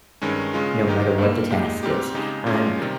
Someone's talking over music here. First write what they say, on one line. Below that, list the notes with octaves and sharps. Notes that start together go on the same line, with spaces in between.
no matter what the task is, I'm
G2 D#3 G#3 C#4
C#3 G#3 C#4 F4
G#2 D#3 G#3 D#4 G4
G2 G3 A#3
A#2 G#3 D#4 G4
G#2 G3 C4 G4
C#3 G#3 D#4 G4
A#2 G#3 C#4 F4
C3 D#3 G3